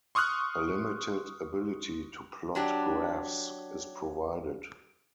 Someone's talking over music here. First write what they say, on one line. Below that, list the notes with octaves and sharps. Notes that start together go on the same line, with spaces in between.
A limited ability to plot graphs is provided.
C6 C#6 D#6 F6 F#6
F#3 D4 G4